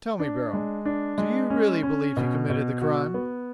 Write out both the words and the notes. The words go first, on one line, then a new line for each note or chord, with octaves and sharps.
"Tell me, Beryl, do you really believe he committed the crime?"
D4
G#3
D4
G#3
C#4
C#4
B2
B2
F#4
B3